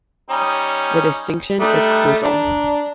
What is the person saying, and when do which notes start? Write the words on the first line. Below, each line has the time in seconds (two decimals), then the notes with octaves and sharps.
The distinction is crucial.
0.30 G3 C#4 D#4
1.60 G3 A3 D4 D#4
2.24 D4 A#5